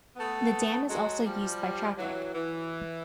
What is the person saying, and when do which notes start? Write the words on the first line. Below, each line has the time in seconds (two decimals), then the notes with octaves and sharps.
The dam is also used by traffic.
0.16 A3 B3
0.89 F#3 G#3
1.26 F3 G3
1.98 E3 F#3
2.34 E3